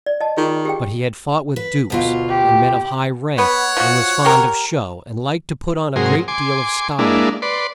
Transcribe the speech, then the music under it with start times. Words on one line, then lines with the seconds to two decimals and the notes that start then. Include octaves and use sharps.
But he had fought with dukes, and men of high rank, and was fond of show, and liked to put on a great deal of style.
0.06 D5
0.21 D#5 A5
0.37 D#3 F4 G#4
0.65 G4 G#4 G5
1.56 B4
1.90 D2 B2 F4
2.28 G4
3.38 B3 C#5 F#5
3.77 F3 F#4
4.25 G4 A#4
5.96 G#2 C3 F#3 G#4 A#4 C6
6.28 G#5 C6 D6
6.99 G#3 A#3 D4 E4
7.42 B4 D5 C6